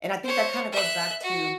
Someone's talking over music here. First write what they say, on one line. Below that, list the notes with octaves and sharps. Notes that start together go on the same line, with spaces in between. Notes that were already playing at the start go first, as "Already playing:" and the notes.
and, I think that, kinda goes back to
C5 C#5
E5 F#6
F#4